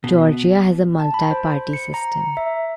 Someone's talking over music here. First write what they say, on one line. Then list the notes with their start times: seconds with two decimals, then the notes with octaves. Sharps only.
Georgia has a multi-party system.
0.04 B2
0.99 A5
1.14 B5
1.31 C5
1.73 C#7
1.94 A#5
2.37 E5